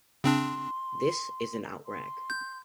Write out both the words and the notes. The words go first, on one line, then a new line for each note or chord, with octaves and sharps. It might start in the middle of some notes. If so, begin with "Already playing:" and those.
This is an outrag.
C#3 C4 D4 C6
C6
G6